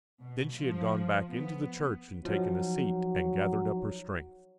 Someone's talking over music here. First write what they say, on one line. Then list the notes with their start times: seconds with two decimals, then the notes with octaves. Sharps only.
Then she had gone back into the church and taken a seat, and gathered up her strength.
0.21 B2
0.56 F3
1.30 B3
2.25 F3 F#3 D#4